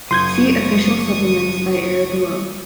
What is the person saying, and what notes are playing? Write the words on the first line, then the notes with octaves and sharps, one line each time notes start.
See Official Supplements by era below.
F#1 C6 C#6 D#6 G6 G#6